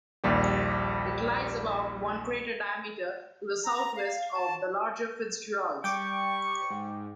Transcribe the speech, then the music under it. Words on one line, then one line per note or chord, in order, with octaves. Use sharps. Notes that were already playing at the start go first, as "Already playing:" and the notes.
It lies about one crater diameter to the southwest of the larger Fitzgerald.
A#1 D#2 G3 G4
A#5
F5
A5
G3 G5 C#6 D6
G#2